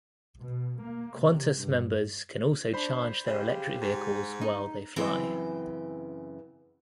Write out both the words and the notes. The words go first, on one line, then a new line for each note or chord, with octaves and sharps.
Qantas members can also charge their electric vehicles while they fly.
B2
A#3
C3
G2
D4 C5 B5
C#3 G4
G#2
D#4
F#2 C#3 E3 C4 G5 G#5